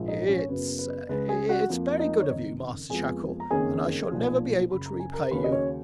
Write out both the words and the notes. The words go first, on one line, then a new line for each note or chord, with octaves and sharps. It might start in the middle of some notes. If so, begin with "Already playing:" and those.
"It's--it's very good of you, Master Shackle, and I shall never be able to repay you."
Already playing: A#1 G#2 F3 G#3
D#4 D#5
C#4 C#5
C#5
F#1 F#2 C#3 F#3 B3 B4
B4
C#2 C#3 G#3 B4
G#4 G#5
F#4 F#5
F2 F3 A#3
D#4 D#5
C#5
F#1 F2 D#3 D#4 D#5
F2 F3 G#3 B3 F4 G#4 G#5
A#5
F#1 F2 D#3 A#3 C#4 G#4 G#5
B1 A#2 F3
F#1 F#2 C#3 B5
A#5
G#5
A#4 A#5
D#2 C#3 F#3 C#4 B4 B5
D#5
C#4 C#5